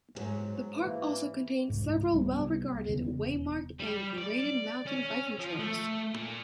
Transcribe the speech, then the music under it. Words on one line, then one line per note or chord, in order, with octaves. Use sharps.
The park also contains several well regarded, waymarked and graded mountain biking trails.
D2 G#2 F#3
E3 A#3
C2 G#2
C2 G3 B3
E1 C#3 B3
G3
D5
C#4
F3
A3
A#2